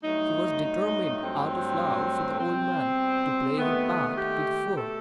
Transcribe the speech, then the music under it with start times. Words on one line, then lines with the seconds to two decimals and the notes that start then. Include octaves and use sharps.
She was determined, out of love for the old man, to play her part to the full.
0.03 G2 F#3 A3 D#4
1.21 G2 F#3 A3 C4
2.39 B2 G3 C4
3.58 D#2 D#3 A3 B3
4.16 G4
4.75 B2 A3 A4